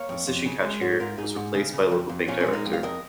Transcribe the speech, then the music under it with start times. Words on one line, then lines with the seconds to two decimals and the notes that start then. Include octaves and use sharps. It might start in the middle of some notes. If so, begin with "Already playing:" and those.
The position cashier was replaced by a local bank director.
Already playing: A#3 C#5 F5
0.09 F2
0.27 F2
0.46 C#3
0.64 G#3
0.81 G#2 G#4 C#5
1.00 G#2 F4 A#4
1.18 G#2 D#4 G#4
1.36 G#2
1.55 C#3
1.73 C#3
1.91 F2
2.09 F2
2.28 A#2 C#4 F4
2.40 C#4
2.47 G#3
2.53 A#3 D#4
2.66 F2
2.73 F5
2.83 F2 A#4 D#5